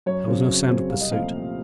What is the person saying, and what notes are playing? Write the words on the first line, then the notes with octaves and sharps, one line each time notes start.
There was no sound of pursuit.
F#2 C#5
C#3 F#3 C4
F#2
C#3 F#3 C4
C2 F5
D#5
A#2 F3 A3 C4 F5